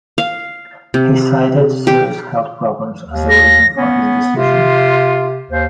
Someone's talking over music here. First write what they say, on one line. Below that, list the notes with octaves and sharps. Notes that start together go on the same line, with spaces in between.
He cited serious health problems as a reason for his decision.
F5
C3
G4
D#2
A#6
B3 C#4
C3 F4
D#2 C5